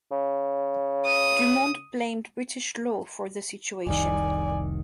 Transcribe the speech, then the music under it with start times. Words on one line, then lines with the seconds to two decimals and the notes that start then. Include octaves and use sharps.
Dumont blamed British law for the situation.
0.12 C#3
1.05 D#6
3.87 F1 C2 D#3 D5 G#5